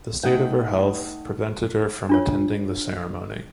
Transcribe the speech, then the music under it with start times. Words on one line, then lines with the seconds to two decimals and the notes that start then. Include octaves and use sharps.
The state of her health prevented her from attending the ceremony.
0.23 A3 D#4 F#5 G5
2.09 D4 F4 C#5